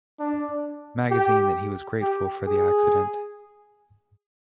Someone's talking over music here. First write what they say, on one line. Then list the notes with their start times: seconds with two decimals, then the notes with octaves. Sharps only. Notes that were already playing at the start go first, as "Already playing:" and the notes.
Magazine that he was grateful for the accident.
0.19 D4
1.10 G4
2.01 G4
2.47 G#4